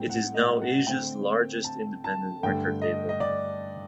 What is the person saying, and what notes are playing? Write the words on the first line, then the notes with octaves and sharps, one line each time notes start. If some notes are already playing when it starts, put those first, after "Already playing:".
It is now Asia's largest independent record label.
Already playing: A2 G3 C4 G5
F#5
D#5
F#5
D3 A3 C4 G5
A5
A5
G2 D3 A3 G5
D#5
D#5
D5